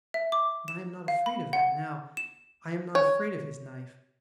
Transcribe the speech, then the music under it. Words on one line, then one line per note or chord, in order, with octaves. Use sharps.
But I am not afraid of that now, I am not afraid of his knife.
E5
D6
E7
F5
B5
F#5
E7
C#5